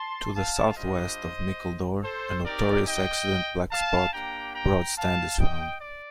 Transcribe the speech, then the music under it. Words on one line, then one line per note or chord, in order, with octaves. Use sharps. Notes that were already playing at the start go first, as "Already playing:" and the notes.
To the south-west of Mickledore, a notorious accident blackspot, Broad Stand is found.
Already playing: A5 C6
F5 A5
G3 D4 F4 C5 D#5
A4 C5
C4 D#4 G4 A#4 D5
D#5 G5
F5 A5
A#3 D4 G4 G5 A#5
G5 A#5
F5 A5
D#5 G5
D5